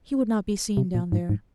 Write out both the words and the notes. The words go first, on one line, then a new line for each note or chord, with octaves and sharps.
He would not be seen down there.
C3
A#2
G#2
G#2